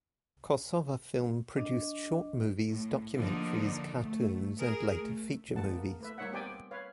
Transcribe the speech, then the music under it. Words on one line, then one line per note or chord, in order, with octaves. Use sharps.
Kosovafilm produced short movies, documentaries, cartoons and later feature movies.
D4 D#5
A2
D3 F3 A#3 D4 D#4
A3
G#4 A#4
A3
G#3 A3 B3 F#5 A5
A#3
A3 B4 E5
G3 A#3 D#4 C#5 E5 F#5
B3 C4 G4 D5 G5 G#5
B4 C#5 F5